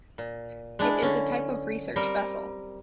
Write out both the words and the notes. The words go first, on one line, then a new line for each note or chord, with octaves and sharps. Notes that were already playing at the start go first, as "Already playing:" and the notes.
It is a type of research vessel.
A#2
G#3 D4 E4
D3 C#4
G3 C4 A#4